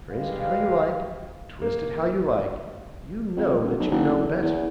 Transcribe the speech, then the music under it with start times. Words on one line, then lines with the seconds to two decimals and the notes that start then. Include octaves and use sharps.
Phrase it how you like, twist it how you like, you know that you know better.
0.11 G3 G#3 G4 B4 F5
1.62 A#3
3.36 F2
3.63 D#1
3.80 B1
3.91 F#1
4.20 E2
4.42 E2